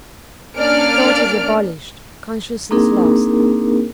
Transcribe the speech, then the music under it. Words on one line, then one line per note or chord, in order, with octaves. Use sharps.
Thought is abolished, consciousness lost.
A#3 C#4 D4 D5 F6 D7
A#3 C4 D4 D#4 G#4 A#4